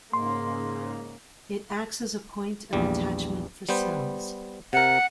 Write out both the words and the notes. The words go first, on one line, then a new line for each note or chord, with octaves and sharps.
It acts as a point of attachment for cells.
G#2 C#3 A#3 C6
A#1 E2 G3
G3 B3 C5
C3 A#4 F#5